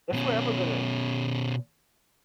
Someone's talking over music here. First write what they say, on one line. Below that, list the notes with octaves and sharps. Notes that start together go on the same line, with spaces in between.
if we're ever gonna
B2 C#4